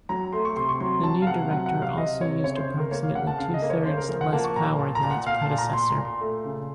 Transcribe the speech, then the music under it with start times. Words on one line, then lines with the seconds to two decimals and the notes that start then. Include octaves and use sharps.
The new director also used approximately two thirds less power than its predecessor.
0.09 F#3 A#5
0.33 A3 C6
0.45 C#6
0.56 C3 C6
0.69 C#6
0.80 F#3 C6
1.03 F#3 A5
1.22 F5
1.27 C3 F#5
1.51 F#3 F#5
1.66 F#5
1.74 C3
1.82 F5
1.97 C3 D#5
2.21 C3 C#5
2.44 C#3 C#5
2.56 C5
2.68 C#3 C5
2.80 A#4
2.91 A#3 C#5
3.03 F5
3.15 C#3 F#5
3.27 A5
3.38 C#3 F5
3.54 D#5
3.62 A#3
3.70 C#5
3.86 C#3 C5
3.97 A#4
4.09 F3 A#4
4.21 F#5
4.33 A#3 A5
4.44 C#6
4.56 A#2 A#5
4.79 A#2 A5
4.95 A#5
5.03 A#2
5.11 F#5
5.26 A#2 F5
5.42 A5
5.51 A#2
5.58 A#5
5.73 A#2 C6
5.89 A#5
5.97 A#2
6.05 C6
6.21 A3
6.44 C#3